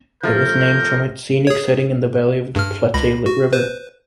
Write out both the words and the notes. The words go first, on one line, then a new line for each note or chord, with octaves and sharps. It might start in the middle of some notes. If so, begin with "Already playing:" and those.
It was named from its scenic setting in the valley of the Platte River.
F3 A3 A#4 G6
G#4 C#5
G2 F6
C#2 B5 A#6
F#4
B4 C5